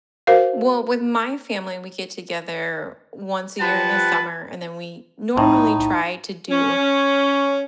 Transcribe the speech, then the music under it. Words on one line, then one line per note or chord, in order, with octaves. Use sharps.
Well, with my family, we get together once a year in the summer, and then we normally try to do
F#4 A#4 C5 F5
F3 G3 B4 F#5 A5 B5
A2 D#4
C#4